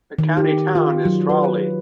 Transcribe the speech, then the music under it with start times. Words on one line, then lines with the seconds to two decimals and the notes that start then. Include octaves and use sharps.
The county town is Tralee.
0.18 D#3
0.37 G4
0.75 F4
1.05 F#3
1.29 B4